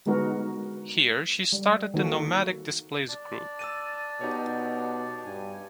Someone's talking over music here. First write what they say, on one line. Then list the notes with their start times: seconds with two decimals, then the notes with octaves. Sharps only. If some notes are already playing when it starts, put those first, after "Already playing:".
Here she started the Nomadic Displays Group.
0.06 D3 G#3 B3 D#4 F#4 A#4
1.52 G3
1.94 D#3 A#3 F#4 A4
3.08 D4 D5
3.59 E6 A6 D#7
4.21 B2 D#4 G4 C#5
5.26 G2 G#5